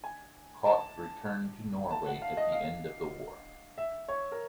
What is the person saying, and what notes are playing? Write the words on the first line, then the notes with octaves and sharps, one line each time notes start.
Koht returned to Norway at the end of war.
G#5
A5
A5
F#5
F5
D#5
F5
E5
C#5
A#4